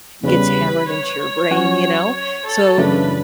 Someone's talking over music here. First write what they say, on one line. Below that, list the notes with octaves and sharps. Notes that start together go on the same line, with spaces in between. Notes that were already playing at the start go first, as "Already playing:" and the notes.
gets hammered into your brain, you know? So
E2 C#3 E3 G3 B4
C#5
F#3 C#4 F#4
C#5
A4
F#2 C#3 E3 A3 D4 B4